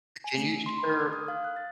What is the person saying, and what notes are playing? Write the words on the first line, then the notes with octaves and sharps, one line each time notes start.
can you share
G#5
A3
D4
C6
B5
F6
D#6
F5
F#6
A6